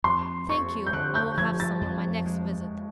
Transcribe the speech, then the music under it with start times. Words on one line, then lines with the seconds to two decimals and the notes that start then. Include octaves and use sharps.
"Thank you, I will have some on my next visit."
0.04 F2 C6
0.48 F2 C#6
0.87 G6
0.93 D3 F#6
1.15 G6
1.38 F3 G#6
1.60 A6
1.81 F2
2.26 G#3